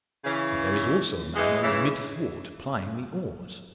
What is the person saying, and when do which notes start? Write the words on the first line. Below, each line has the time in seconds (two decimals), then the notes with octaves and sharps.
But there is also a man on the mid thwart plying the oars.
0.24 C#3 E3
1.36 E3 G#3
1.63 C#3 E3